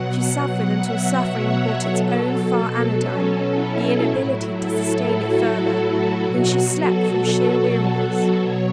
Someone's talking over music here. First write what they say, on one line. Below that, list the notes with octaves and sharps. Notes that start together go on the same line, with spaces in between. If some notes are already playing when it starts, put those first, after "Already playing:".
She suffered until suffering brought its own far anodyne--the inability to sustain it further,--then she slept, from sheer weariness.
Already playing: B2 F#3 F#5
E5
C#5
B2 F#3 A4
C#4
E4
A2 F#3
A4
F#4
B2 F#3 F#4
A4
B2 F#3 C#5